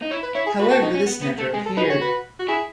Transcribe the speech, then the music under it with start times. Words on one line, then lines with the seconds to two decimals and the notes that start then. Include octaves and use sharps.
However this never appeared.
0.02 D#4
0.11 E4 C#5
0.23 B4
0.35 E4 C#5
0.46 G#4
0.59 F#4 B4
0.71 A4
0.82 D#4
0.94 C#4
1.06 B3
1.21 B3
1.38 A3
1.53 G#3 G#4
1.66 A4
1.77 D#4 B4
1.83 G#4
1.89 F#4 C#5
2.01 B4
2.39 F#4
2.48 E4 G#4